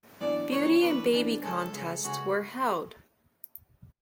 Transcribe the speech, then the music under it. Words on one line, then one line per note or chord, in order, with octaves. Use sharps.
Beauty and baby contests were held.
F#2 E3 B3 D4 D5
F#2 E3 B3 D4 C#5
F#2 E3 B3 D4 B4
F#2 E3 B3 D4
C#2 C#3 G#3 A4
C#2 C#3 G#3
C#2 C#3 G#3 F#4